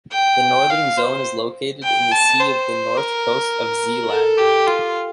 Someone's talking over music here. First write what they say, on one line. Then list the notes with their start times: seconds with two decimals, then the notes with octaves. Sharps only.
The northern zone is located in the sea off the north coast of Zeeland.
0.12 G5
0.69 F5
0.98 C5
1.83 G5
2.11 A5
2.39 C5
2.97 A#4
4.10 A4
4.38 G4
4.67 F4